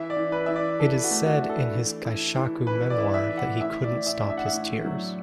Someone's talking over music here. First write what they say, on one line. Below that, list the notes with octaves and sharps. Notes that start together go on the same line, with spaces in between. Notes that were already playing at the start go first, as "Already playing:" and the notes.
It is said in his kaishaku memoir that he couldn't stop his tears.
Already playing: E3 E5
D5
E3
B4
E3 E5
D5
E3 A4
F#4
A3
F#4
D4
A4
E3
E4
E3
E3 B4
D5
E4
E5
E3
F#5
A2 E5
D5
A2
E5
D4
E5
F#5
E5
A2
F#3